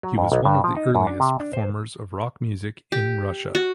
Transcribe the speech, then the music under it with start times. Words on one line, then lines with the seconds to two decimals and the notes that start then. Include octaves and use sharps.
He was one of the earliest performers of rock music in Russia.
0.03 F#3
0.18 F2
0.32 B1
0.45 G2
0.64 F3
0.77 D#4
0.95 F#2
1.07 D4
1.20 C3
1.40 D4
1.53 C5
2.92 G4
3.55 F#4